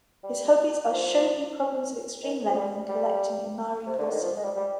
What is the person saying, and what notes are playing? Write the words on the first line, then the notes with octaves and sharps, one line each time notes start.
His hobbies are shogi problems of extreme length and collecting Imari porcelain.
G3
F3
D#3
F3
G3
G3
C3
D3
D#3
F3
G#3
G3
G3